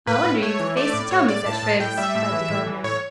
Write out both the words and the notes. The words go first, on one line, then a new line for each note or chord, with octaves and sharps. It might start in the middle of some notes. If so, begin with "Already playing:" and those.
"I wonder you've the face to tell me such fibs!" cried the Gardener.
A2 B4
A2
A3 C#5
E3
A3 D5
A2
A2 C#5
A2 D5
A2 A5
A2
A2 G5
G3 E5
A2
E3
A2
E3
A2 C#5